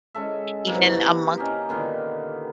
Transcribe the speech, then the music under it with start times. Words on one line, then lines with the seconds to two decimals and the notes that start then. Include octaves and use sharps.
even in among
0.15 G#3 C#4 A4 E5
0.67 C3 E3 A#3
0.92 F#4
1.38 C#4 D#4 G4
1.69 A#2 D3 D#3 B3